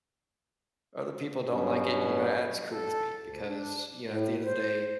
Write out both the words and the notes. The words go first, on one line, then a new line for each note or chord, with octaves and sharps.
other people don't like it, you know, that's cool with me because you know, at the end of the day,
G2 B2 F#3 C#4
A4
D2
D4
A2
C5